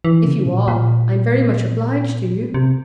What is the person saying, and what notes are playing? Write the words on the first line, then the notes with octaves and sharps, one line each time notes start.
If you are, I'm very much obliged to you.'
E3
C#3
A#2
A#2
C3